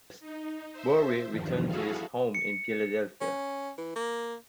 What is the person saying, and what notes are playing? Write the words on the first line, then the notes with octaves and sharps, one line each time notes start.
Borie returned to his home in Philadelphia.
D#4
C5 E5
E2 G2 D#3 F3
E4 F#4 G#4 A4 F5
C#7
C#4
E3
A#3